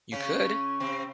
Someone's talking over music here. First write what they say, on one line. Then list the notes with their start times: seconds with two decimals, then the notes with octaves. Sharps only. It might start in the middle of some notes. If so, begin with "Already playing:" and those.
You could.
0.12 C#3 C#4
0.80 C3 C4